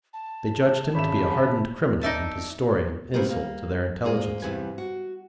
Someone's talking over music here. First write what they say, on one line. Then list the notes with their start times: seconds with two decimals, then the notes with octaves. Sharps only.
They judged him to be a hardened criminal, and his story an insult to their intelligence.
0.14 A5
0.95 G#1 C#3 E5 B5 E7
2.01 D#4 D5 E5 A5
3.14 C#3 G3 C4 G4 A#4 B4
3.30 G3 A#3
4.04 G#2 A#3 G#4
4.42 E2 G2 C3 B4 G#5
4.78 F#4